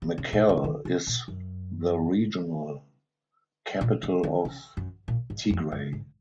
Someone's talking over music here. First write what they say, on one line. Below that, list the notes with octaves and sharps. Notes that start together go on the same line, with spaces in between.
Mekelle is the regional capital of Tigray.
C#3
C#3
A#2
C#3
D#3
C3
A#2
F#2
A#2
C#3
D#3
C#3
F#2
A#2
G#2
F2
F#2
G#2